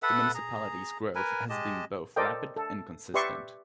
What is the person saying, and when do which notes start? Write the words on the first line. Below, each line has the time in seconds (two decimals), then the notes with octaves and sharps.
The municipality's growth has been both rapid and consistent.
0.03 A4 B4 E5 F#5
0.34 G#4 A#5
1.15 A#4 B4 G#5
1.49 G#3 G4 D#5 A5
2.16 A4 A#4 C5 D5 D#5 G5
2.56 A4
3.14 G4 B4 D5 E5 C6 C#6